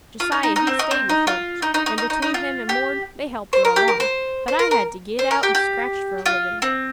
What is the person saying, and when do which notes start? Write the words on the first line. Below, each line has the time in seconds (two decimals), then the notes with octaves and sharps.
Josiah he stayed with her, an' between him an' 'Mord,' they helped her along, but I had to git out and scratch for a livin'.
0.20 F4
0.32 D#4
0.43 D#4
0.56 D#4
0.67 C4
0.79 D#4
0.91 C4
1.09 D#4
1.27 F4
1.62 D#4
1.74 D#4
1.86 D#4
1.98 D#4
2.10 D#4
2.22 D#4
2.34 F4
2.69 G4
3.53 C5
3.65 A#4
3.76 G4
3.88 A#4
4.00 C5
4.48 C5
4.59 A#4
4.71 A#4
5.19 C5
5.31 A#4
5.43 G4
5.55 G4
6.26 F4
6.62 C4